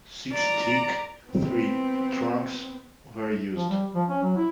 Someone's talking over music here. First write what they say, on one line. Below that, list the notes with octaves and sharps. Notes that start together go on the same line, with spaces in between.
Six teak tree trunks were used.
D5 A#5
B3 C4
F3
G3
F3
C#4
F#3
E4